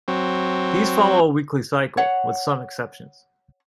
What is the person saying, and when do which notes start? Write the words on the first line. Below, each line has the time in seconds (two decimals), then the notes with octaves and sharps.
These follow a weekly cycle, with some exceptions.
0.08 F#3 C4
1.97 C#5 F#5